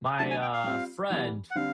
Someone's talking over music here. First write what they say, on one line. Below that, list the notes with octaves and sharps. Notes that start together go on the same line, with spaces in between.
my, uh, friend,
D3 F#3 A3 D4 A5
G#5
G5
F5
G3 C4 F4
E3 G3 B3
F#5
D3 G3 C4 F5